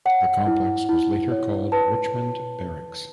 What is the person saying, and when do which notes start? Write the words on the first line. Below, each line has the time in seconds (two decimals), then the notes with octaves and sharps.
The complex was later called Richmond Barracks.
0.05 C#5 F#5
0.47 E4
0.89 E4
1.31 C#5
1.72 B4 A5